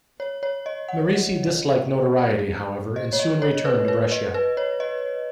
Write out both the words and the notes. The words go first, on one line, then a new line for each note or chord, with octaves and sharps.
Merici disliked notoriety, however, and soon returned to Brescia.
C#5
C#5
D#5
F#5
D#5
C#5
D#5
C#5
B4
B4
D#5
B4
C#5
D#5